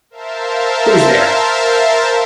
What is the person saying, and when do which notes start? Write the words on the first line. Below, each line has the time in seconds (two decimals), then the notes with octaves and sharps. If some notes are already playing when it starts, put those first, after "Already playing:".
Who’s there?
0.10 A#4 C5 E5 F5 A5